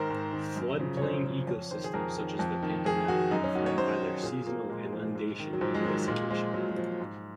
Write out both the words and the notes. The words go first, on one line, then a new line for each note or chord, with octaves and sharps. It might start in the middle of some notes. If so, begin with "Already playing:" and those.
Floodplain ecosystems such as the Pantanal are defined by their seasonal inundation and desiccation.
Already playing: G#2 D#3 A#4 C5
G#2
D#3
F#2
C#3 F3
C#5
F#2 C5
C#3 F3
F2 C#5
D#3 C5
G#4
F2 A#4
D#3
F2
D#3
F2 G#4
D#3 F#4
F#2 D#4
C#4
D#3 F#4
C#5
F#2 C5
D#3
A#2 G#4
F3 A#3
A#2 G#3
F3
G#2
D#3
F#3
G#2 F3
G#3
D#3 F#3
A#2 G#3
F3 G#3
A#2 F#3
F#3
F3
G#2